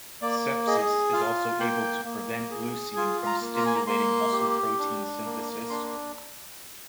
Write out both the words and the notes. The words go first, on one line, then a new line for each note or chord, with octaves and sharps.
Sepsis is also able to prevent leucine from stimulating muscle protein synthesis.
A#3 D5
G#4 D#5
F4 F5
A#3 G5
A#3
G#4
F4 G#5
A#5
A#3
A#5
G#5
A#5
A#3 C6
G4
D4
A#3
D4 C6